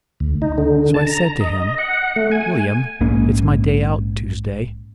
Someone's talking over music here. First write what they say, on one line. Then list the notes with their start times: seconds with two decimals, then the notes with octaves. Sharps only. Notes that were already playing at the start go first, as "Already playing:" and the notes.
So I said to him, 'Willyum, it's my day out, Tuesday.
0.20 D2
0.42 D#4
0.58 D3
0.94 A5
1.07 A#5
1.40 D#5
1.78 F#5
2.16 A3
2.32 G#5
3.00 A#1 G#2 A#3 C#4